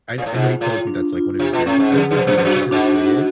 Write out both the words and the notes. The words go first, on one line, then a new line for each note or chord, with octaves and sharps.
I I know he tells me that's, like, one of his favorites. So I would be interested to play it.
A#2
A2
G#2 F4
A2 F4
D4
F4
C3 F4
B2
A2 C#4
G#2
F2 G#4
F2
C5
F#2
F2
F#2 F#4
G#2 D4
F#4